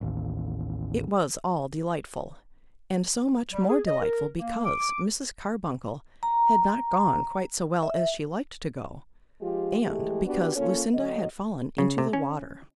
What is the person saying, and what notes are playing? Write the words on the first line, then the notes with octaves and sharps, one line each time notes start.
It was all delightful;--and so much more delightful because Mrs. Carbuncle had not gone quite so well as she liked to go, and because Lucinda had fallen into the water.
A1 D#2
G3
G#4
D#5
A#4
A#3
D6
A#5
E5
F3 G#3 F4 G4
E3 G#3 A3 G4
B3 D4 F#4 G4 B4
A#3 C#4 F4 A4 C#5
D2 D3 F#3 D#5
C#3
C3
C#4